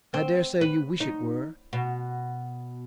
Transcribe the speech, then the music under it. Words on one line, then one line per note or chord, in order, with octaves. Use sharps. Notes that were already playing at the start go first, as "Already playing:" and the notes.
"I dare say you wish it were."
C4
B4
D#4
B2